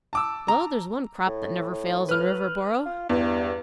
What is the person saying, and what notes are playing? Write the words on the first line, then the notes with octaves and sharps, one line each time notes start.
"Well, there's one crop that never fails in Riverboro!"
A5 D6 E6
A#5
A2
B4 F6
F4
E2 G2